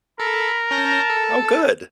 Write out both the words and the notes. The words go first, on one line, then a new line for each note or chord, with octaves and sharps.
Oh, good.
A4 A#4 B5
C#4 A5 G6 A#6
A4